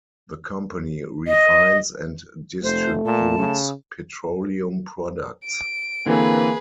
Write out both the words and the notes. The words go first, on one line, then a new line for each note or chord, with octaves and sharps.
The company refines and distributes petroleum products.
D#5
F1 A3 C5
A#2 A5
C#3
D7
D3 E3 A#3 C4 G#4 B4